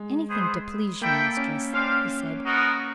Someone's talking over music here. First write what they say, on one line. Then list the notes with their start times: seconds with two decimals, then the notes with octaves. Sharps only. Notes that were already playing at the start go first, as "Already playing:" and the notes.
"Anything to please you, Mistress," he said.
Already playing: G#3
0.30 B3 E4 G#4 C5
1.01 A#3 E4 A4 D5 G5
1.37 C#4
1.73 C#4 D4 G4 C5 F5
2.45 G#3 B3 D#4 F#4 A#4